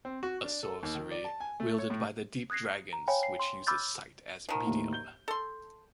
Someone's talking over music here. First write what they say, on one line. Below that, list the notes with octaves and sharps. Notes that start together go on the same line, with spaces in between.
A sorcery wielded by the Deep Dragons which uses sight as medium.
C4
F#4
D4
A4
D#2
D#3
D5
A5
G#5
A3
C#5
A2
D#6 F#6 G#6 A#6 C7
A#5
C#5 F5 G5 G#5 B5
C7
C6
B5 D6 E6 F6 G6 A6
D#3 F3
D#2 A2
G6 G7
A4 C6